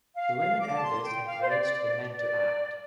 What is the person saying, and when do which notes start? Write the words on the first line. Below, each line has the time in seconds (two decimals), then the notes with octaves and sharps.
The women elders encouraged the men to act.
0.15 F5
0.38 F5
0.60 D6
0.74 A5
0.82 C6
1.04 G5
1.26 F5
1.41 C5
1.48 D5
2.14 D5